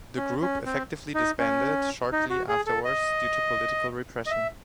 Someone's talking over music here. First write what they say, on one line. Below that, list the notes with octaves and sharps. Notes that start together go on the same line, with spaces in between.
The group effectively disbanded shortly afterward due to political repression.
C#4
C#4
C4
D#4
C#4
D#4
F#4
G#4
A4
D#5
D#5
E5